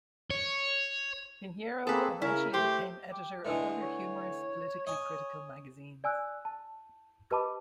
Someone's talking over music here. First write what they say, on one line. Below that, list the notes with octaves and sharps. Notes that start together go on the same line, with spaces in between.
Pinheiro eventually became editor of other humorous, politically critical magazines.
C#5
A#3 C4 G#4 A4 B4
C#3 C#4 E4 A#4
A3 G4 C5
G4
D3 E3 G#3 A3
C#5
C#5 D#5 G#5
D5 G#5 E6 F#6
A5
G4 B4 D#5 A5 B5 D6